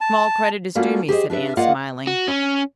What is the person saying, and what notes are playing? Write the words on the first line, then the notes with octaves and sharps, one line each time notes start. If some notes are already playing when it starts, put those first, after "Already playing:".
"Small credit is due me," said Anne, smiling.
A5
G3 A#3 C#4 F4 F#4 A4
G4 G#4 C5 D#5
D4 G4 B4 E5
A#3 F4 D5 D#5 F5 F#5
F#4
C#4